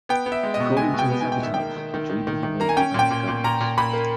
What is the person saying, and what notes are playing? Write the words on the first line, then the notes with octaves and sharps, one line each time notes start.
According to his epitaph, he dreamed of a world without guns.
B3 G5
B3
E5
G#3
D#5
B2
G#3 G#5
B2
G5
B3
G#5
G#3
G5
D#3 E5
G5
A#3
D#3
D#3
D#3
D#3
D#3
A#3 A#5
G#5
C#4 G5
A#2 G5
A#2
A#2
A#2 A#5
A#2
A#2 B5
A#3